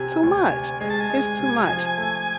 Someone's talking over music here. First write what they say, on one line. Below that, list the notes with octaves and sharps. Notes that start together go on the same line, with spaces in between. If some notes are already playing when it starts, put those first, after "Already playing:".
too much, it's too much.
Already playing: C3 G#5
D2
G#5
C3
G#3 G#5
A5
G#5
G#3
C3
F3
A3